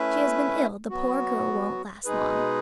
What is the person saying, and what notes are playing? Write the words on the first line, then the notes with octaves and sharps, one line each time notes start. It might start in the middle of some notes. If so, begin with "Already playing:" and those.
"She has been ill; the poor girl won't last long."
Already playing: A3 C#4 E4 B4 E5
F#3 B3 F#4
B2 G#3 D#4 G#4 B4